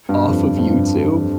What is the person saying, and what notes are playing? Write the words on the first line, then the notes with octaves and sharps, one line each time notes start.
off of YouTube,
G2
F2
G2
F2
G2